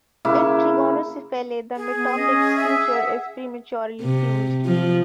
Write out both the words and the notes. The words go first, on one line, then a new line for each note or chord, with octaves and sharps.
In trigonocephaly the metopic suture is prematurely fused.
C#3 A#3 E4
G#4
B3
C#4 D#5
E5
F#5
C3
F3